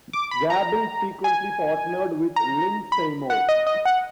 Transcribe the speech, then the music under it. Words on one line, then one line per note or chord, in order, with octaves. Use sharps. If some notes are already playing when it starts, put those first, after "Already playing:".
Gable frequently partnered with Lynn Seymour.
D6
B5
A#5
G#5
A#5
B5
F#5
D#5
D#5
F#5